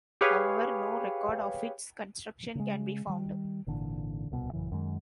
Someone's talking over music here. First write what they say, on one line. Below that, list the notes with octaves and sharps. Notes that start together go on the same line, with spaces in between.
However, no record of its construction can be found.
G4 G#4 B4 C#5 F5
C#3 G#3
D#3 G3
G#1 A#2 D3 E3
D1 C2 B2
A1 F#2 C#3 E3
F#2 D#3 G#3